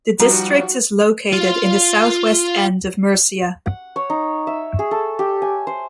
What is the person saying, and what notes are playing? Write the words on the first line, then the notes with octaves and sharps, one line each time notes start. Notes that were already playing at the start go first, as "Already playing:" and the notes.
The district is located in the southwest end of Murcia.
F3 G3 D#4 F#4 F5 A#5
F4 F5
F#5
C#5
D#4
E5
G#4
A4
G4
G#5
C5